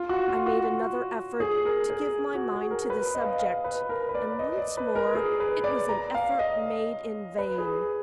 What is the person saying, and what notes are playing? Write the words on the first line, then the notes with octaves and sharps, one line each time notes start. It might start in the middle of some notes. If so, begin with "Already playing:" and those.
I made another effort to give my mind to the subject--and once more it was an effort made in vain.
Already playing: F4
F#4
F4
F#4
G#4
A#4
G#4
F#4
G#4
A#4
B4
D#5
F5
D#5
F5
B4
A#4
B4
D5
D#5
D5
B4
A#4
G#4
B4
D5
A#5
F5
D#5
B4
G#4